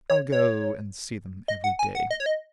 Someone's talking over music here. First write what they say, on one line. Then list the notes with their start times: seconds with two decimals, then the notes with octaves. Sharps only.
I'll go and see them every day.
0.10 C#5
0.32 C#5
1.48 D#5
1.64 F#5
1.79 G#5
1.95 F#5
2.11 D#5
2.20 C#5
2.26 D#5